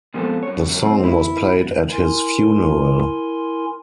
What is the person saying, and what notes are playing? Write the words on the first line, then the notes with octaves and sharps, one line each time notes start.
The song was played at his funeral.
A#2 F3 G#3 B3 C4 A4
F#2 C#5
C4
E4
E4 A#4 G#5 C6